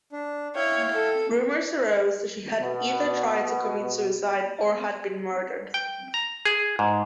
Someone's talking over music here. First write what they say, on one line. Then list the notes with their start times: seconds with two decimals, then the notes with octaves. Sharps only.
Rumors arose that she had either tried to commit suicide or had been murdered.
0.12 D4
0.56 E4 C#5 F5 G5
0.93 A4
2.62 B2 B3
5.74 G5
6.14 A#5
6.45 G#4
6.79 G#2